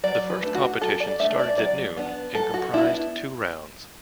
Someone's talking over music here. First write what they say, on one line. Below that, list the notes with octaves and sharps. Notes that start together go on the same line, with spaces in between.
The first competition started at noon and comprised two rounds.
F#3 D5
B4
A3 D4
F#4
F#3 A4
D5
A3 D4 E5
D5
F#3 D5
B3 D4
F#3 A4
F#4
B3 D4 E4